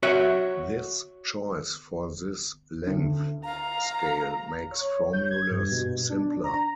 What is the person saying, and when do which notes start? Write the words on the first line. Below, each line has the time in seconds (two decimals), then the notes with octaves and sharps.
This choice for this length scale makes formulas simpler.
0.03 F#4 C#5 E5 F#5
2.87 D2
3.45 F5 A#5
4.71 C#5
5.13 G6
5.31 G#6
5.51 G2
5.72 B2
6.10 D4
6.44 A#5